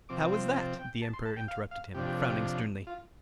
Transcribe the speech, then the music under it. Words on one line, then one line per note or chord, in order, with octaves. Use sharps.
"How is that?" the Emperor interrupted him, frowning sternly.
C3 F3 C4 D6
C6
A5
G5
A5
C6
A5
G5
F5
F5
C3 F3 D4 G4
G4
A4
G4
F4